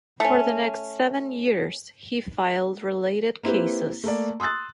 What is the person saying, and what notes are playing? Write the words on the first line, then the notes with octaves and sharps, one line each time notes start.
For the next seven years he filed related cases.
A3 C#4
A#3 C4 E4 G4 B4
A3 A#3 D5
C6 D#6 E6 F#6 A6